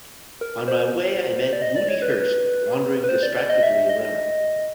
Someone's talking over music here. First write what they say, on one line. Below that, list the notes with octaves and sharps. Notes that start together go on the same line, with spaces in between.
On my way I met Moody Hurst wandering distractedly around.
A#4
C5
D5
D#5
D5
C#5
B4
B4
C5
D5
D5
D#5
E5
D#5